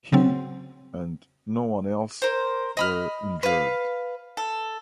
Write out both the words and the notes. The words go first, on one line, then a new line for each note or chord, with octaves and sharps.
He, and no-one else, were injured.
C#3 F#3 C4
A#4 C5
D#5 B5 F6
B4 F5
A4